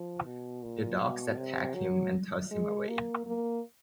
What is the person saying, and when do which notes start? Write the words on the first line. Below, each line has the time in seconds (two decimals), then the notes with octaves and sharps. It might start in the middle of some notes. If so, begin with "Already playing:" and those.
The dogs attack him and toss him away.
Already playing: F3
0.24 B2
0.62 A#2
1.00 B2
1.37 C3
1.75 F#3
2.51 G#3
2.89 A#3
3.26 A#3